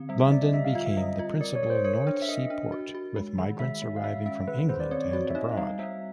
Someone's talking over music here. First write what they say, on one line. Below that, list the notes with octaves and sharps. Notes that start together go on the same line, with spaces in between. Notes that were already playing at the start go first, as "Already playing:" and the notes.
London became the principal North Sea port, with migrants arriving from England and abroad.
Already playing: D3 C4
G3 E5
E5
G3 D5
D#5
D3 E5
F5
F4 E5
E5
G3 D#5
F4
A#4 D5
C#5
A#4
C5
A#4 C#5
D4
E5
A#4 D#5
D4
F#4
F#4
G#3
D#3
G#3 E5
G#3
F5
G#3 E5
C#4 E5
D#3 B4
B4
D#3 C5
D5
C4 C#5
D5
F#4 C#5
E5
D#4 D#5
G3 F5
G3 E5